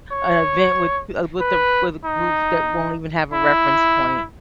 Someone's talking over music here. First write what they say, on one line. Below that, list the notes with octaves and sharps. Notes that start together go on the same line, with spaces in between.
a event with a with a with a group that won't even have a reference point?
C#5
B4
D#4
E4